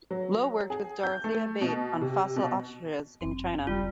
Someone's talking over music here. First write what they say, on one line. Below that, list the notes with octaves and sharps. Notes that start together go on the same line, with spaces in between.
Lowe worked with Dorothea Bate on fossil ostriches in China.
F#3
G#4
G6
A3
B2
C3
B2
G1 F#2 C4
E1 B1 C#3 G3 F4